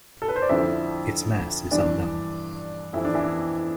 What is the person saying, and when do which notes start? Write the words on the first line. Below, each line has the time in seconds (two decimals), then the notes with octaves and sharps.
Its mass is unknown.
0.22 A4
0.28 B4
0.36 C5
0.42 D5
0.49 F2 D3 F3 E4 E5
1.71 G2 E3 D4 D5
2.93 F2 E3 E4
3.05 D4
3.15 E3 E4